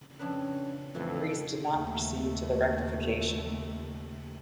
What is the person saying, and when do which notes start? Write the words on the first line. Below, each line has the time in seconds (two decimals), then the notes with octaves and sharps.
Greece did not proceed to the rectification.
0.19 F2 C#4 D4 B4
0.95 F2 A2 E3 A3 A4
1.71 D#2 A3